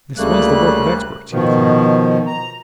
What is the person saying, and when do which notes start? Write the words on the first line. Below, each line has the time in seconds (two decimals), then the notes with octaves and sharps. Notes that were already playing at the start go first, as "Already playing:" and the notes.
"This was the work of experts," he declared.
0.17 D2 C#3 G3 A3 A#3 F#6
1.32 B2 D#3 F3
2.27 A#5